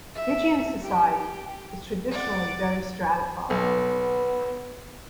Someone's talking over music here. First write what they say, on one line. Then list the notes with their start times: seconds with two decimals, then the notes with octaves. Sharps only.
Fijian society is traditionally very stratified.
0.15 E5
0.82 G4
2.11 D5 F#5
3.50 B1 B3